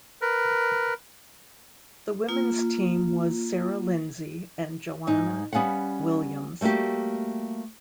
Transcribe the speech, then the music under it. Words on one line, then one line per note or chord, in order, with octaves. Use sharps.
The women's team was Sarah Lindsay and Joanna Williams.
A#4 B4
A#3 F4
G#2 D#4
G3 B3 C#4 F5 F#5
G3 A3 A#3 F#4 G4